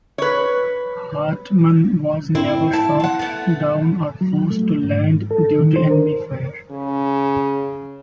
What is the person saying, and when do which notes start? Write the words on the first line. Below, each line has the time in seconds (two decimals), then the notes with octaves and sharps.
Hartmann was never shot down or forced to land due to enemy fire.
0.18 B4 C#5
2.35 C4 E4
2.73 E4 A5
3.00 C4 F#5
3.19 A3 B3
4.21 F#3
4.51 A3
4.83 G#2
5.31 A4
5.61 D#3
5.76 C5
5.91 A#4
6.71 C#3